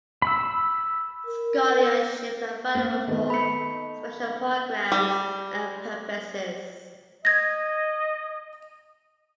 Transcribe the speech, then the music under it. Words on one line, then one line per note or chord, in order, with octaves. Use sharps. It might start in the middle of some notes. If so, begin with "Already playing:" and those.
Scholarships are available for special programs and purposes.
B5 E6
A#4
A#3 C4
D#3 A3 B3
B5 C#7
G3
D#5 G#6 A#6